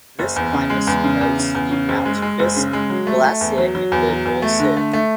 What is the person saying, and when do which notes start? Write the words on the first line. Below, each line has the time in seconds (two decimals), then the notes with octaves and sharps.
This climate supports the Mount Fiske Glacier in the north cirque.
0.19 F#1
0.36 E2
0.53 C#3
0.70 G#3
0.87 E2
1.04 C#3
1.21 E2
1.38 C#3
1.55 E2
1.72 C#3
1.89 F#1
2.05 G#3
2.22 G#3
2.39 F#1
2.56 C#3
2.73 G#3
2.90 F#3
3.07 A3
3.24 A3
3.41 E2
3.58 F#3
3.75 F#3
3.92 E2
4.09 F#3
4.26 E2
4.42 A3
4.60 D3
4.77 A3
4.93 A3